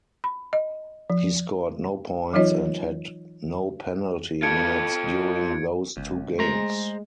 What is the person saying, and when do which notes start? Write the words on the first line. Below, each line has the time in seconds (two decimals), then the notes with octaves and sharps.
He scored no points and had no penalty minutes during those two games.
0.24 B5
0.53 D#5
1.10 F3
2.33 E3 F#3 D#4 F4 C#5 D#5
4.43 F4 A4 G#6 C#7 D7
5.97 G1 C#2
6.39 G#3 A3 C5 A#5